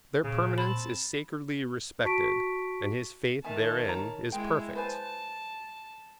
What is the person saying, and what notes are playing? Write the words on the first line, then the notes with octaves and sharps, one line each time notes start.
Their permanence is sacredly respected, and his faith therein is perfect.
A#2 C#3
C4 A5 B5
F#4 A5 C#6 B6 D7
D#3 E5 G#5 A5
C#5 A#5
G#3 E4 G5
B4 C5 G#5 A5